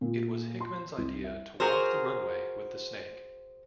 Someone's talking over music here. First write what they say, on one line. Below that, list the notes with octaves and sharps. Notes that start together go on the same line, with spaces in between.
It was Hickmann's idea to walk the runway with the snake.
A#2
C6
C2
E5
F#4 G#4 A#4 C5